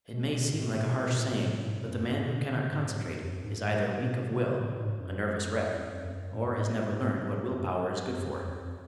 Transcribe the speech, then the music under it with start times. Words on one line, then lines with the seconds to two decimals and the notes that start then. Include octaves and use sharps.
It may seem like a harsh saying, but the man who cannot concentrate is either weak of will, a nervous wreck, or has never learned what will-power is good for.
0.13 B2
0.32 B2
0.52 A2
0.64 B2
0.75 A2
0.86 B2
0.98 A2
1.10 B2
1.21 A2
1.33 B2
1.44 A2
1.68 G#2
1.87 F#2
2.06 G#2
2.26 B2
2.41 C#3
2.55 D3
2.70 G#2
2.84 G#2
3.05 F2
3.24 F#2
3.43 G#2
3.58 G#2
3.71 G#2
3.87 A2
4.01 B2
4.31 C#3
4.59 A2
4.79 G#2
4.99 F#2
5.76 F2
6.05 F#2
6.34 A2
6.54 G#2
6.73 A2
6.92 G#2
7.21 G#2
7.51 F#2
8.09 F#2
8.28 F2
8.48 F2